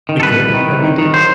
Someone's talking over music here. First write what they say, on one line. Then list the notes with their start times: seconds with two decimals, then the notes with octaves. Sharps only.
We could, and we did.
0.09 D#3
0.20 A4
0.23 C2 B4
0.38 C2
0.54 D#3
0.69 C2
0.84 D#3
0.98 D#3
1.14 F#3 C5